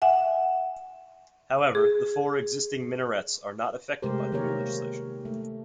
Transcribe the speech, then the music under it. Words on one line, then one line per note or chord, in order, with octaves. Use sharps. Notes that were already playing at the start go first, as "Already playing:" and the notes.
However, the four existing minarets are not affected by the new legislation.
E5 F#5 G#5
G#4
C3 G#3 A3 G4 A#4 C5
D#3 A#3 G4 A#4 C#5
A3